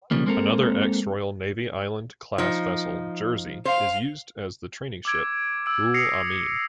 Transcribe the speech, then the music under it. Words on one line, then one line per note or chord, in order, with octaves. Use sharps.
Another ex-Royal Navy Island-class vessel, "Jersey", is used as the training ship, "Ruhul Amin".
B1 G2 C#3 F3 G3 A#3
G#3 A#3 C4 A4 A#4
F3 D#4
C5 F5
D6 E6 G#6 D7
E6 D7
D#6 E6 A#6 C7 C#7 F7